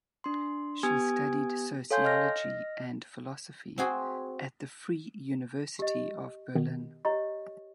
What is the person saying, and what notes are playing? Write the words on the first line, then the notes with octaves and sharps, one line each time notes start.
She studied sociology and philosophy at the Free University of Berlin.
D4 C6
B3 G4 G#5 D#6 G#6
A4 C#5 F5 G#5 C6 G6
D#5 F6 A#6
C4 F#4 G#4
G4 D#5
B2 D#3 B3
G4 C#5 D#5 A#5